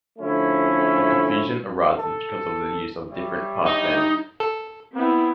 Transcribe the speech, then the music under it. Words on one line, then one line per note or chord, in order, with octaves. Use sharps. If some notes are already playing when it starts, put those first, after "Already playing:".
The confusion arises because of the use of different passbands.
D3 F3 A3 C#4 E4
A4
G3 C#5 E5
D#4
A4
B3 C4 E4